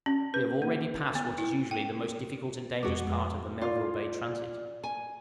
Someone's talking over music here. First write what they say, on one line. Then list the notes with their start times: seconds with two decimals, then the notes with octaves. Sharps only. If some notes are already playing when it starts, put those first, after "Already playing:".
We have already passed what is usually the most difficult and dangerous part of the Melville Bay transit.
0.06 C#4
0.34 B4
0.62 A#3
1.15 B3
1.38 E4
1.71 G5
2.83 F2 G#3 B3 F#4 D6
3.61 F4 D5 F5
4.84 G#5